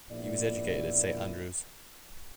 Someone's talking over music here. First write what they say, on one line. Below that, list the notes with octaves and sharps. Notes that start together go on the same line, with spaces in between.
He was educated at Saint Andrews.
A#1 A#2 B3 E4 D5